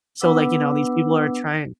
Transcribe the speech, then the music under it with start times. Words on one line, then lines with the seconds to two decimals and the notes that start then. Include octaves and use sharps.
so, like, you know, these people are trying
0.20 B3 D4 B4 F#5 D6 E6